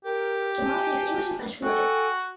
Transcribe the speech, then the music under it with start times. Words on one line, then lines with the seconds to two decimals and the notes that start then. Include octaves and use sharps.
Jamal speaks English and French fluently.
0.05 G4 A#4
0.62 G#5 A5
1.62 F#4 A4 G5 G#5